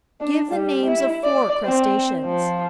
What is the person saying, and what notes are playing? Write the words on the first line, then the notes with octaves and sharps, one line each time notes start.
Give the names of four crustaceans.
D4
G3
E4
D5
C4
F3